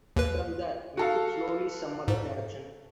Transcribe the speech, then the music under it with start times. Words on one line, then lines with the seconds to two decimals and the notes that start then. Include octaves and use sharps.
From there we took slowly some other direction.
0.16 D#2 B4
0.97 F#4 A4 F5
2.08 G#2